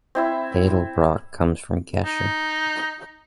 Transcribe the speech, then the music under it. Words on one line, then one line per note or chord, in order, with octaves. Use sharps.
Edelbrock comes from Gescher.
C4 E4 E5
D#4